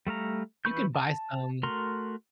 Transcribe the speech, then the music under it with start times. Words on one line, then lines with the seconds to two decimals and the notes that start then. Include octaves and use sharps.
you can buy some
0.07 G3 A3 F5 A#5
0.65 E3 B4 B5 C#6 G6
0.95 A5
1.63 A3 F#4 A#4 A#5 C6